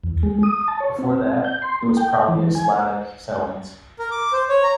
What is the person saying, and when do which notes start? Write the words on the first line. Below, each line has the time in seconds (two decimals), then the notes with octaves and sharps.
Before that, it was probably a Slavic settlement.
0.04 E2
0.23 G#3
0.43 D#6
0.68 A5
0.80 C#5
0.99 C4
1.44 G6
1.62 C6
1.83 A#3
1.97 G5
2.28 E3
2.55 G#5
3.99 A#4
4.11 D6
4.33 C5
4.49 C#5
4.63 A#5